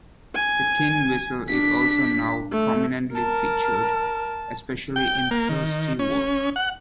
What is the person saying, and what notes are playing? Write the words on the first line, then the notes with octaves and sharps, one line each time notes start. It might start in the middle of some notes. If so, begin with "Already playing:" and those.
The tin whistle is also now prominently featured, especially in Thirsty Work.
G#5
D4 B6
A3
A#4 A5
G5
A#3
D#3
C#4
F#5